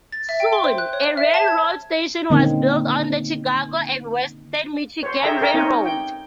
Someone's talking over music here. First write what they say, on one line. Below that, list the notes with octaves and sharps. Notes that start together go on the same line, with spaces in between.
Soon, a railroad station was built on the Chicago and Western Michigan Railroad.
A6
E5
G5
C6
C5
F#6
C#5
E5
A5
G#6
D3 A#3 C4 C#4 D#4
C5 C#5
G#4 A4 C#5 E5 G5 A#5
A4 A#4 E5 G5 A#5
C4 C#4 D#4 A#4 C#5 G#5
G5